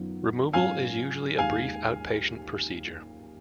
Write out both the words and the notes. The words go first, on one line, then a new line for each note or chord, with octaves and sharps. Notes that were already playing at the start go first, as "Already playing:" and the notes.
Removal is usually a brief outpatient procedure.
Already playing: F#2 D#3 F#3 B3 F4
G#2 F#3 C#4 F4 F5 G#5
D#2 D#3 G#3 F5 G#5